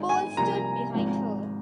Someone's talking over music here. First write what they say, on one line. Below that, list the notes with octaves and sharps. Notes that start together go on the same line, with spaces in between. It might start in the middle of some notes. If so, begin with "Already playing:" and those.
Paul stood behind her.
Already playing: G#1 G#2 G#3 D#4
G#5
C2 C3 F3 A#3 A#5
G#1 G#2 F3 C4